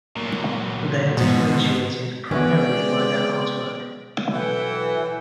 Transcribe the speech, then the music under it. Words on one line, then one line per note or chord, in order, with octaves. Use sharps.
They are differentiated primarily by their artwork.
A#2 F#3
G#2 B2
G#3 B3 C#4 E4 F#4 D5 G5
B2 E3 F#3 A4 F#5 G5